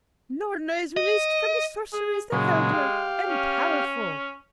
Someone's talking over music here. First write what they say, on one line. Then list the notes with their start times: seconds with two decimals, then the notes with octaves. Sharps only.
Noorna, is released from the sorceries that held her, and powerful.'
0.97 D#5
1.93 G#4
2.32 A#2 C#3 F#3 G#3
2.73 G4 F5
3.28 C#4